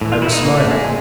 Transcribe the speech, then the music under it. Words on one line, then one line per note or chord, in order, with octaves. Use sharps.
I was smiling.
A2 E3
F4
E4
D#4
A#2 A#3
A3
G#3
A#2